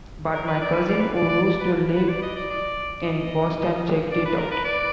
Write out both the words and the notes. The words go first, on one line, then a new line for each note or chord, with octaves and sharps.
But, my cousin, who used to live in Boston, checked it out.
A#4
B4
D5
B4
D5
B4
D5
D5
D5
B4
B4
D5
D#5
D5
D5
D#5
D5
B4
A#4
B4
D5